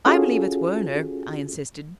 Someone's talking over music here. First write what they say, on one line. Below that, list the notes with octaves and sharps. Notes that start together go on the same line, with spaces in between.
"I believe it's Werner," I insisted.
C#4 F4 F#4 G#4 A4